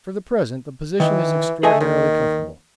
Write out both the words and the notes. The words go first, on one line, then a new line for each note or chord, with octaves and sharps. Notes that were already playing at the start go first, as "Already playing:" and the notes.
For the present the position is extraordinarily comfortable.
D#3 E3
A3 G#4 D#5 G#5
D#2 D#3